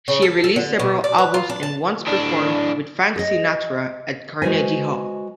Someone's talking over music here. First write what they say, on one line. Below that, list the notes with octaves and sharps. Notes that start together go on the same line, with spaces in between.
She released several albums and once performed with Frank Sinatra at Carnegie Hall.
C#3
A4
A4
D3
B2
D5
B4
F4
D4
A5
A2 D4
G#4 D#5
G#3 F#4 B4 C5 G#5